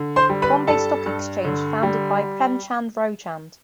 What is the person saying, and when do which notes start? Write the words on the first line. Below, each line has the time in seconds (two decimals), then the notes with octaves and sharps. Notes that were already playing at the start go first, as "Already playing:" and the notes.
Bombay Stock Exchange founded by Premchand Roychand.
Already playing: D3
0.16 C5 C6
0.29 G3
0.42 B4 B5
0.67 G2 A4 A5
1.06 G2
1.45 D3
1.83 G3